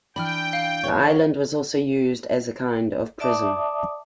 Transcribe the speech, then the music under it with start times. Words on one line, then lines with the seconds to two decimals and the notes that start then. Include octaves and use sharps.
The island was also used as a kind of prison.
0.16 E3 D4 G5 B5 F6
0.53 F5
0.83 C#5
3.20 D5 E5 A5 D6 D#6